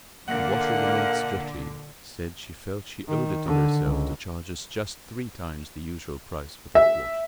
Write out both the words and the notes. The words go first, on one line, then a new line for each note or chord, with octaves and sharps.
The washerwoman at Streatley said she felt she owed it to herself to charge us just three times the usual prices for that wash.
A#2 D3 A#3 F#5
D#3
D3
C#2
E5